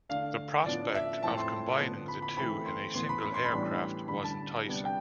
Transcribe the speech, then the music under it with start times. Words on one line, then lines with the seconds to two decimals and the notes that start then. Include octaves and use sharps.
The prospect of combining the two in a single aircraft was enticing.
0.09 D3 A3 D4 F5
0.66 A2 F3 B3 D4 D5
0.95 E5
1.23 A2 F3 A3 C4 A5
1.38 C6
1.80 D3 F3 B3 D4
2.08 B5
2.22 B5
2.37 E3 A3 C4 B5
2.66 C6
2.94 A2 E3 B3 C6
3.09 B5
3.23 B5
3.34 C6
3.45 B5
3.52 A2 E3 G3 B3 D4
4.08 D3 G3 D4 B5
4.23 A5
4.66 C3 G3 B3 D4
4.85 G5